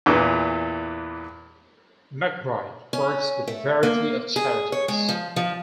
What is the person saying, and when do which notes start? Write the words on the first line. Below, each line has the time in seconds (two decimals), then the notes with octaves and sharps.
McBride works with a variety of charities.
0.06 E2 A#2 E3
2.93 C#4
3.48 A3
3.83 A#3
4.36 G#4
4.72 C#5
4.88 G#3
5.09 F3
5.36 F3